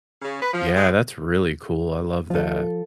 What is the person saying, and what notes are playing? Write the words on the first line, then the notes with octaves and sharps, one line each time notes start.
Yeah, that's really cool, I love that,
C#3
B4
F3
G#3
F3 F4 A4